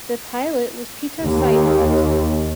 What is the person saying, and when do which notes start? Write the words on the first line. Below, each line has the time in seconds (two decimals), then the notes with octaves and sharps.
The pilot was Peter Siebold.
1.23 D#2